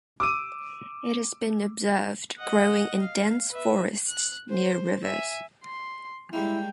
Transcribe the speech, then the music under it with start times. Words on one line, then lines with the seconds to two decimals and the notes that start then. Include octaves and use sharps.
It has been observed growing in dense forests near rivers.
0.20 D6 E6 D#7
2.38 D#5 F#5
3.01 F5
3.51 B4 E5
4.07 F#6
4.49 C5
5.03 E5 G#5
5.64 C6
6.33 G3 G#3 A#3 E4 G5